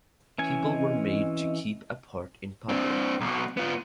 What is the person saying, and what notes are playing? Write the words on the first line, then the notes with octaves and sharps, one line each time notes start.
People were made to keep apart in public.
E3 C#4 G#5
C4 D#5
C4 D4
B1 B2
B3 F4